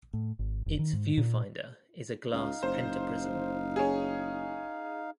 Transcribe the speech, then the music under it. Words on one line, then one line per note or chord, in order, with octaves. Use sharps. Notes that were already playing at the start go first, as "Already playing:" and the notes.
Its viewfinder is a glass pentaprism.
A2
G#1
F1
D#3
G#2
A#2
C#2 D#4 F5
F#1 C5
C#4 G#4